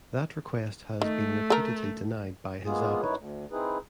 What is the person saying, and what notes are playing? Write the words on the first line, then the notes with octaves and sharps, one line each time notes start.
That request had been repeatedly denied by his abbot.
D#3 A3
A4 A#4
G#3 A#3 B3 F4 G#4
F#2 D#4 E4 B4 C#5
D2
C4 D#4 E4 G#4 B4